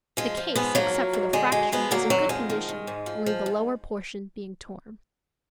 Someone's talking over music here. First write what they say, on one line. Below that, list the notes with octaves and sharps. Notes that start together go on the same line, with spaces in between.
The case, except for the fracture, was in good condition, only the lower portion being torn.
F3 G#3
F3
G#2 G#3 B3
F3 F#3 A#3
F3
G#2
D3 G#3
F#2 G#3
F3 G#3 B3
D3 F#3 A#3
F2 F#3
F3 G#3
D#3
D#3
G#2
F3
F3
G#2